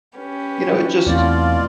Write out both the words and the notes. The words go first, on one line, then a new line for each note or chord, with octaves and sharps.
you know, it just
C#4 G4 B4
E2 B2 A3 C4 E4 F4 D5